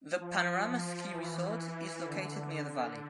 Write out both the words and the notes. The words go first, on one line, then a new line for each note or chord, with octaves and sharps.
The Panorama Ski Resort is located near the valley.
F3
E3
D3